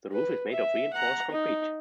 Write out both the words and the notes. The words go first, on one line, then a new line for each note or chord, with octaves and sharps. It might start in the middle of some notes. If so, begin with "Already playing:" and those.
The roof is made of reinforced concrete.
B4
E5
F#5 A#5
D#4